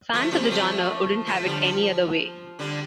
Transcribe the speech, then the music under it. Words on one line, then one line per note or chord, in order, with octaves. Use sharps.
Fans of the genre wouldn't have it any other way.
F3 A3
G3 C4
G3
F3 A3
F3 A3
D3 G3
G3
F3
D3 G3